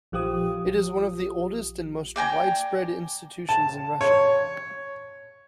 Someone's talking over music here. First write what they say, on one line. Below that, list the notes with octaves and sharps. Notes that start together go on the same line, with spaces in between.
It is one of the oldest and most widespread institutions in Russia.
A#1 F3 F4 G4 D#6
D5 G5 G#5 A#5
A5
C#5